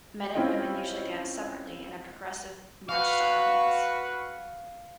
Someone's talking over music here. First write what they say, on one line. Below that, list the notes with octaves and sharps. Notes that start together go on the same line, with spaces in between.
Men and women usually dance separately in a progressive march style dance.
C4 C#4 E4 F4 D#5 G5
F#4 B4 F5 C#6